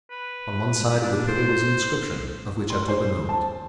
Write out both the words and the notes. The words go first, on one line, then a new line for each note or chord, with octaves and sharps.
On one side of the pillar was an inscription, of which I took a note.
B4
D4
C5
C6
C5
A5